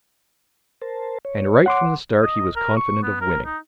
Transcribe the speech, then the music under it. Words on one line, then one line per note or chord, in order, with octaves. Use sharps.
And right from the start he was confident of winning.
A#4 C5 A5
C#5
F#5 C6 D6
D#5
A#4
C#6
B3
A#4
D#4